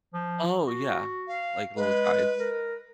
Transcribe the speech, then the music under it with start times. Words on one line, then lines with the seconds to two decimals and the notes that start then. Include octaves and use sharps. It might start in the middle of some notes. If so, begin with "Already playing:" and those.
Oh, yeah, like little guides.
0.14 F3
0.67 F#4
1.28 F5
1.76 G#3 B4
2.39 A#4